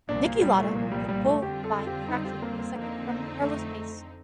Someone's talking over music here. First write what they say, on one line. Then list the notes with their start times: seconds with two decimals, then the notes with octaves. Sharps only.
Niki Lauda took pole by a fraction of a second from Carlos Pace.
0.09 C2 A#2 F3 D4
0.25 A#3
0.42 G3
0.58 A3
0.75 A#3
0.92 G3
1.09 G3
1.25 A3
1.42 F2 D3 G3 C4 F4 G4
1.64 A4
1.87 G4
2.09 D#4
2.25 G4
2.42 A#3
2.59 A#3
2.76 F2 D3 F3 A#3 C4 D#4
3.42 A3